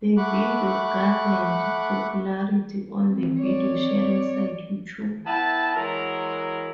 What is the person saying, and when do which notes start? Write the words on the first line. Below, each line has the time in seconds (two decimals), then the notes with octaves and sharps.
The video garnered popularity on the video sharing site YouTube.
0.17 A3 F#5 B5 C#6 D6 F#6
3.08 C4
3.39 C#5 D5
5.27 B3 E4 G5 A5
5.74 E3 F#3 G#3 A#4